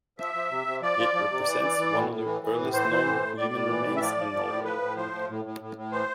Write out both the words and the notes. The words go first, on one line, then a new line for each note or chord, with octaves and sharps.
It represents one of the earliest known human remains in Norway.
F3 E5
F3
C3
C3
F3 D5
F3
F3
C3
E3
E3
E3
A2
A2
E3
E3
A2
E3 C5
E3
A2
A2
A2 D5
A2
E3
A2
E5
F3 D5
F3
F3
A2
F3 B4
A2
F3 C5
A2
A2
A2
A2
A2
E3 C5